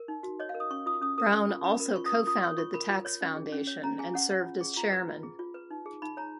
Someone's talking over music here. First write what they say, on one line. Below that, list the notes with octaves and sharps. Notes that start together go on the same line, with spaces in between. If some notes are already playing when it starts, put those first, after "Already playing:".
Brown also co-founded the Tax Foundation and served as chairman.
Already playing: A#4
D#4
F#4
C#5 D#5
F5
A#4
D#6
C#4 C#6
F4 D#6
C#4 D#6
A#4 D#6
C#4 C#6
F4
C#4 B5
A#4
F4 C#6
D#6
A#4
F4 D#6
C#5 C#6
F4 C#6
A#4 B5
F4
C#5
C#4
G#4
C#4
C#5
C#4 A#5
G#4 G#5
C#4 F#5
C#5
F4
G#4
F4 A#5
B4
F4
G#4
F4
B4
D#4
G#4
D#4 B5
C#5 A#5